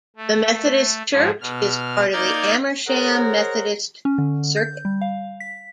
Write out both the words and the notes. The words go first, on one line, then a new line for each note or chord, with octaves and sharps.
The Methodist church is part of the Amersham Methodist Circuit.
A3
G#2 F3
B2 F6
A#3 D#4 D5 F6 G6 G#6
G#4 A#4 C5 C#5 F#5 A#5
C#4
D3
G6
G3
F5
B6